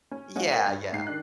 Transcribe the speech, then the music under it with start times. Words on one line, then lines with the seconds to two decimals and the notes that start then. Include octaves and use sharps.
Yeah, yeah.
0.11 C#4
0.36 G#3 C#4 D#4 F4 D#5 F#5
0.52 A#4 D#5
0.66 G2
0.93 G#2 C7
1.07 D#3 D4 F#6